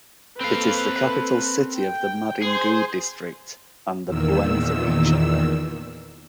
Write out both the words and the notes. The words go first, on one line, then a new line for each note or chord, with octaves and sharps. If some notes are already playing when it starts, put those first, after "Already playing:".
It is the capital city of the Madingou District and the Bouenza Region.
A#3 C4 A4 B4 F5
G5
G#4 C5
E2 A#2 D#3 E6